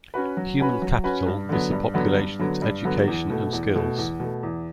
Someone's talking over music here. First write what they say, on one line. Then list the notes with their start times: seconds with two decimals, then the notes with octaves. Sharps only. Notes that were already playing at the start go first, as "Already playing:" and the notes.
Human capital is the population's education and skills.
0.14 C#4 F#4 B4
0.37 F#3
0.59 C#4 F#4 B4
0.82 F#3
1.04 C#4 F#4 B4
1.26 G2
1.49 D3 F#3 B3
1.72 G2
1.94 D3 F#3 B3
2.16 G2
2.39 D3 F#3 B3
2.62 G2
2.85 D3 F#3 B3
3.08 E2
3.30 B2 A3
3.53 E2
3.75 B2 A3
3.98 E2
4.20 B2 A3
4.43 E2